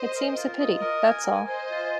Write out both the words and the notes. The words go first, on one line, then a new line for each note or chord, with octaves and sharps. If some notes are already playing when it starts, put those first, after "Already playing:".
It seems a pity, that's all.'
Already playing: C5 D#5
A#4
F4
D#5
A#4
G#5
G#5
C5 D#5 G#5
F4